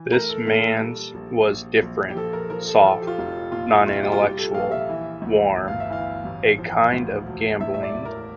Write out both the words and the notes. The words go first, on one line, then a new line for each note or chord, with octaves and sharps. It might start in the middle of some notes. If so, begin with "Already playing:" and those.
This man’s was different: soft, non-intellectual, warm, a kind of gambolling.
Already playing: E3
A3 A#4
A4
A#2 A4
A4
G3
A#1
A#1
A#1
G4
F3 A4
A#4
F3 A#4
A4
F3 A4
G4
F4
F1
A#2 F4
E4
C2 F4
G4
F4
G3 G4
A4
A#1 F5
E5
E3
D2
G1
F5
E5
E3 F5
A1
F3
D2
E1
A2 E5
E5
D5
A1
A#4